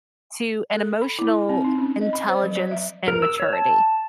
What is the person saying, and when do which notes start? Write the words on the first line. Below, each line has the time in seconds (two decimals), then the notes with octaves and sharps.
to an emotional intelligence and maturity.
0.75 A4
1.01 B5
1.19 E4
1.49 C4
1.64 D#4
1.78 C#4
2.01 D#5
2.13 B5
2.29 C5
2.43 F#3
2.56 D5
2.71 E5
3.08 A#4
3.22 E6
3.40 C#5
3.53 A5